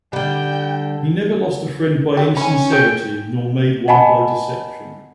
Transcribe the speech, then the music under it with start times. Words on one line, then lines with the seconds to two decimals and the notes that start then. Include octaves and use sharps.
He never lost a friend by insincerity nor made one by deception.
0.13 D3 G3 G5
2.17 F#3 G4
2.37 C#4 G#5 B5
2.72 G#4 G5
3.88 D#5 F#5 G#5 A5 B5